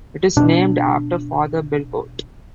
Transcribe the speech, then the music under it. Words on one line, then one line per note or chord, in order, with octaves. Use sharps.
It is named after Father Belcourt.
B2 D4